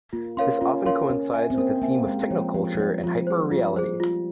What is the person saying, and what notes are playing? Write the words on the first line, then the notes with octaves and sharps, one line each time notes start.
This often coincides with the theme of technoculture and hyperreality.
A#3 F4
C#4 A#4 C#5 F5 C6
C#4 F4
C#4 A#4 C#5 F5 C6
C#4 A#4
C#4 E5 G#5
C4
A#3 A#4
A#3 E5 G#5
G#3 G4
F3 C#5 G5
F3 G4
F3
G3 C#5 G5
F3 F4
G#4 C5
G3 F4
G#4 C5
F4